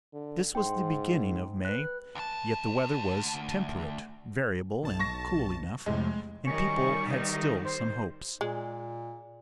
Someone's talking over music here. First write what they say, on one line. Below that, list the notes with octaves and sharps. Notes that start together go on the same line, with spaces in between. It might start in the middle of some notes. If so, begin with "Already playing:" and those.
This was the beginning of May, yet the weather was temperate, variable, and cool enough, and people had still some hopes.
D3
G#2 G5 C6
B4 F#6
D2 A5
B1 A5
C#6 A#6
F2 A2 C3 G#3
F#2 D#3 G3 G#5 C#6
E2 D#4
C5
A#2 G#3